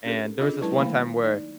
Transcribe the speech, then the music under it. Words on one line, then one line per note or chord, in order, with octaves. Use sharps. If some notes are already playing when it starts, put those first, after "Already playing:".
and there was this one time where,
C#4 D4 G4 A4 A#4
C#4 D4 F4 G#4 A4 D#5
F#3 G#3 E4 B4 A5
D#3 A3 A#3 F5 B5
D#4 D5